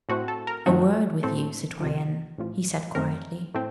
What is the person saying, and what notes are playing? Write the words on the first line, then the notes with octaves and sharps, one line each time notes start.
"A word with you, citoyenne," he said quietly.
A2 A3 C4 F#4
A4
A#4
F#2 D#3 F#3 A3 C4 F#4
A2 A3 C4 A4
C#2 C3 F3
A1 A2 F3
F#2 D#3 A3 C4 A#4
A2 A3 C4